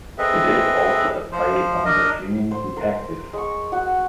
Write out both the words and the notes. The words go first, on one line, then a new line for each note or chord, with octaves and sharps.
It is also a play on The Singing Detective.
C4 G#4 A4 B4 D#5 E5
F3 C5
D4 A#4 D#5
C5
A#4
G#3 C#6
F#4